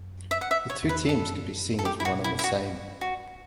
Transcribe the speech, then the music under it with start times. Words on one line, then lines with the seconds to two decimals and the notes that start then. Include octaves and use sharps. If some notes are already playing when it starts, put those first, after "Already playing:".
The two teams could be seen as one and the same.
Already playing: F#2
0.31 E5
0.41 F#5
0.51 E5
0.70 C#5
0.83 E2
0.89 B4
1.09 F#2 A4
1.79 A4
1.85 A2 G4
2.00 E4
2.05 F#4
2.11 B2
2.24 E4
2.39 E4
2.44 F#4
3.01 F#4